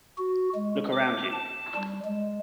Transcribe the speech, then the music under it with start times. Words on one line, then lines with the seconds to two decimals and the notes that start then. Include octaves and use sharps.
Look round you.
0.18 F#4
0.55 G#3
0.93 D6
1.32 A5
1.76 G3
2.05 G#3